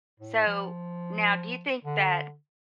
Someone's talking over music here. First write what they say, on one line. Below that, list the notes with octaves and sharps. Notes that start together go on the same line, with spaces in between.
So, now, do you think that
A2
F3
D3